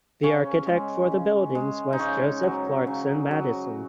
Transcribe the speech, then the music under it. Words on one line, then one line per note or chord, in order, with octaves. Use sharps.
The architect for the buildings was Joseph Clarkson Maddison.
C#3 C#4
G#3
C#3
G#3
D#4
C#3 C#4
F#3
C#3
F#3